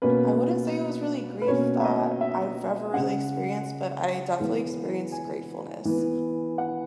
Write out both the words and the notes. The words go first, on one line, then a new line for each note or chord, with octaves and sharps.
I wouldn't say it was really grief that I've ever really experienced, but I definitely experienced gratefulness.
B2 A#3 C#4 B4
B4
B2 A#3 C#4 C#5
E5
D#5
E5
C#3 G#3 C#4 F#5
E3 G#3 B3
G#5
E3 B3
F#5